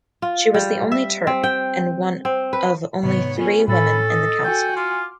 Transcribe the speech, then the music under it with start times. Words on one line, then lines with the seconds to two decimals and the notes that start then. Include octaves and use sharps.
She was the only Turk and one of only three women in the council.
0.22 F4
0.54 G3
0.92 E5
1.27 C4
1.44 G5
2.25 C4
2.53 B4
3.03 G#2 C3 D#3 B3 C#5
3.38 B3 C#4 F4 A4 A#4
3.68 A2 C#4 A4 B5
4.09 D#5
4.44 F#4 G5 G#5 G6
4.77 F4 C6 D6 F6